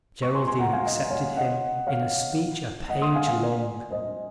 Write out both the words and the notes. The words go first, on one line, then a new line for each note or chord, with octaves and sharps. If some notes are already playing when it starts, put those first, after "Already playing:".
Geraldine accepted him in a speech a page long.
C#6
G#5 C6
G#5 C6
F#5 A#5
F5 G#5
D#5 F#5
C#5 F5
D#5 F#5
C#5 F5
D#5 F#5
C6 D#6
F5 G#5
F5 G#5
C5 D#5